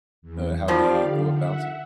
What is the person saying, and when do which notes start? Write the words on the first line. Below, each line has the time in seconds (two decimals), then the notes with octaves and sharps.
uh, how they go about it.
0.22 E2
0.68 D#3 F3 G3 G4 D5 F5
1.00 D3
1.33 E5 F#5